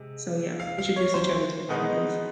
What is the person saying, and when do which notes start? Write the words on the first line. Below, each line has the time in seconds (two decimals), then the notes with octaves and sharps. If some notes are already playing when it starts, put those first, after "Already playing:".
So, yeah, introduce each other to a lotta things.
Already playing: C3 G#3
0.60 F5
0.79 F5
0.96 C#5
1.14 C5
1.69 B2 G#3 B3 D#4